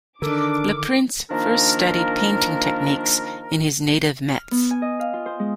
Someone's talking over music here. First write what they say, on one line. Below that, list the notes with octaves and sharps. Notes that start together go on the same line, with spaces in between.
Le Prince first studied painting techniques in his native Metz.
D3 D#3 D4 A4 A#4 D6
D#3 F3 A#3 D4 A#4
F6
B3
G#5
D#5
F5
F4
C5
G#3